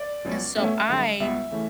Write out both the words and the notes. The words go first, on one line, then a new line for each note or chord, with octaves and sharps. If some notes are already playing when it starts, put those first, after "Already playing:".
and so I
Already playing: D5
C#2 B2 F#3 C#4
B2 A3 C#4 E5
F#2 D3 G3
C#2 B2 G3 B3 E5
C#3 E3 A3 C#4